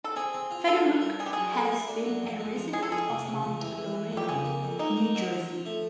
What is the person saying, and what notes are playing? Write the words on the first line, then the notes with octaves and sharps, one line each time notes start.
Fedoruk has been a resident of Mount Laurel, New Jersey.
A4
C4 G#4
C4
F4
A4 A#4
G3
A#4
D4 G#4
G4
F#3 G#4
A3
A3
D4
F#3
F2
G#3
F3
G#3 G#4
A4
F2 G#4
C3
C#3
F2
E3
E3
E3
F2
G4
C#3 G#4
A#3
F2
A#3 D#4
A#3
F#3
F3
F3
A3